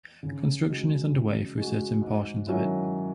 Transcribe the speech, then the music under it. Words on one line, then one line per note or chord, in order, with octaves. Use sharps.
Construction is underway through certain portions of it.
C#3
G#3 D#4 F#4
C#3
G#3 D#4 F#4
G#2
D#3 F#3 C#4 E4